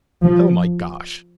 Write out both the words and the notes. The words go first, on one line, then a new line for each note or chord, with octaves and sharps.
"Oh, my gosh!"
F3